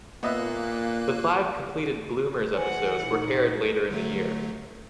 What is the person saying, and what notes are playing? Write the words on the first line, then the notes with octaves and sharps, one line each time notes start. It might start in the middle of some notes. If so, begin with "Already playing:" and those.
The five completed "Bloomers" episodes were aired later in the year.
A#2 A#3 B3 D#5 E5 F#6
E3 B4 C5 F#5 G#5
A#2 D#4
D3 F#3 A3